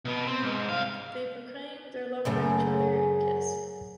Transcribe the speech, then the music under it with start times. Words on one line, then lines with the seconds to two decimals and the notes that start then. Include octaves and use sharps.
They proclaim their love for each other and kiss.
0.05 B2 B3
0.26 C4
0.42 G#2
0.69 C2 F5
2.25 F#2 C#3 A3